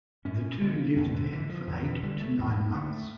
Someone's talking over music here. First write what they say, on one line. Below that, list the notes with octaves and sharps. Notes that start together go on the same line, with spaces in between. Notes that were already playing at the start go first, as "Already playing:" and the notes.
The two lived there for eight to nine months.
G2 C#4
D3 A#3
E2 A3
D3
D3 E3
F3
E2 D3
D3
E3
D3 G3
A3
E2 A#3
D3 A3